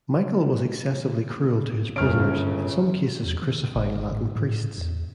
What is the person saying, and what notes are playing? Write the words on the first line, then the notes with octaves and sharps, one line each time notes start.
Michael was excessively cruel to his prisoners, in some cases crucifying Latin priests.
G1 C#3 F6 D7
E2
D#3
G1
G#2
A2
E2